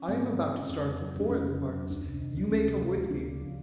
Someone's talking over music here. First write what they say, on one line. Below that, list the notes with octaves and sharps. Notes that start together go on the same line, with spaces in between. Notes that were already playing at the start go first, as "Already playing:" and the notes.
I am about to start for foreign parts, you may come with me.
Already playing: C#4
G#2 C4
D#3
G#3
C#4
F2
C#3
F#3
F2
D4
F2 C#4
C#3
F#3
F2
D2 D4
C3
D#3
D2 D4
D2 C#4
C3
D#3
D2
D2 D4
C#3
F3